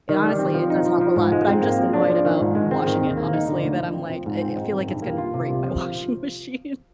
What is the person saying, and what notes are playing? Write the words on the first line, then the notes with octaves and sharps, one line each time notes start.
And honestly, it does help a lot, but I'm just annoyed about washing it, honestly, that I'm, like, e eh, I feel like it's gonna break my washing machine,
D#3
G3
C4
F3
D#4
F3
F3
G#2
G#3
C4
A#3
F3
D4
F3
D#3
G#2
G#3
C4
D#3
D#2
A#3
D#4
D3
D2
F3
C4
F3
G#2
C4
D#4
D#3
G2
A#3
F4
C3
C2
F3